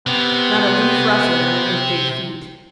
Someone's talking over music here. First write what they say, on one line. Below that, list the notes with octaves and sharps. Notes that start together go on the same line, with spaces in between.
Not a leaf rustled under his big feet.
C3 B3